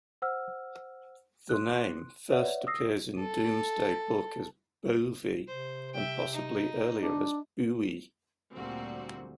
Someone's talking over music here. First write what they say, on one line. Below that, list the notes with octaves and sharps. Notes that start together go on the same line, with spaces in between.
The name first appears in Domesday Book as "Bovi" and possibly earlier as "Buui".
C5 F#5 E6 F6
C6 F#6
B4 C#5 D5 E5 F#5
D#6 E6 A#6 C7
A4
C3 C5
E5 G5
D#4
D4
D2 A#2 G3 C4 F#4